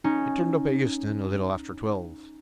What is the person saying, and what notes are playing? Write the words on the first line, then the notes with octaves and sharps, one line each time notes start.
He turned up at Euston, a little after twelve.
C#4 D#4